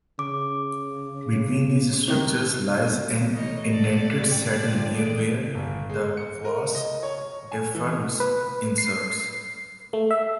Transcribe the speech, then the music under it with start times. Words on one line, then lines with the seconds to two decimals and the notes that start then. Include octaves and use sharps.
Between these structures lies an indented saddle near where the vas deferens inserts.
0.19 C#3 D6
2.08 C3 D#3
3.35 E3 A3 D#4 C#5 D#5
3.72 B3 A4 D5
4.32 G#2 C3 G5
4.63 D3 F3
4.94 D#3 E3 G#4 A4 D7
5.54 G1
5.90 G#3
6.17 C#7
6.45 A#4
6.75 D#5
7.03 C#5
7.52 G#5
7.75 E3
8.20 B4
8.78 C7
9.93 A3
10.11 E5